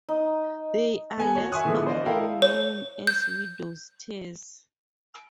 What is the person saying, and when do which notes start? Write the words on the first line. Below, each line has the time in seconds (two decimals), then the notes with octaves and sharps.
They are less often known as widow's tears.
0.09 D#4
1.18 B3 A4 G#5
1.35 F#4 C#5
1.52 E5 G#5 C6 C#6 D#6 F#6
1.65 D3 E3 F3 G#3 A3 B3
1.87 C5 D5 D#5 F5
2.06 E4 A4 A#4 F5 G5
2.42 C#5
3.07 G6